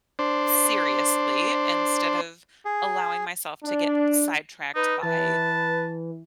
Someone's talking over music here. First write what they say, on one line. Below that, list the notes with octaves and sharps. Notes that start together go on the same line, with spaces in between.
seriously instead of allowing myself to get sidetracked by
D4 C5
G#4
D4
D#4 B4
E3 B4 A5